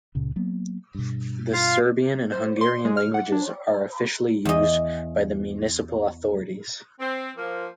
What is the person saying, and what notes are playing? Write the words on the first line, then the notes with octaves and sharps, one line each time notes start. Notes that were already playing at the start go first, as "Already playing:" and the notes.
The Serbian and Hungarian languages are officially used by the municipal authorities.
C#2 A#2 C#3
F#3 A#3 B3
G2 B2
F4 F5
C5
C6
G#3
F6
F#5
D4
E2 D#5
C4
F3 A#3